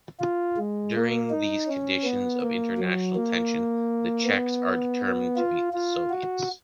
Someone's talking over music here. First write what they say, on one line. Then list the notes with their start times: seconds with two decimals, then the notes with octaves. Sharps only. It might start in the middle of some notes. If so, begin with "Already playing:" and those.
During these conditions of international tension, the Czechs are determined to beat the Soviets.
0.20 F4
0.57 G#3
0.94 A#3
1.30 D#4
1.67 C#4
2.04 B3
2.42 A#3
2.78 F#3
3.16 A#3
4.25 B3
5.36 F4
5.73 F4
6.10 F#4